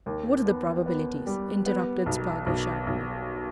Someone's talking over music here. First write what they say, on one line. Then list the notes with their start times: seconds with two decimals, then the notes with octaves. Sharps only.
"What are the probabilities?" interrupted Spargo sharply.
0.06 D#2
0.46 B3
0.86 B3
1.27 G3
1.66 B3
2.06 B1
2.46 B1
2.87 B1